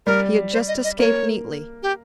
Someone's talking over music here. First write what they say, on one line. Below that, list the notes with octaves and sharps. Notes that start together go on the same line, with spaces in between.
He had just escaped neatly.
G3 A#4
C5
D#5
D#5
A#3 C#5
G4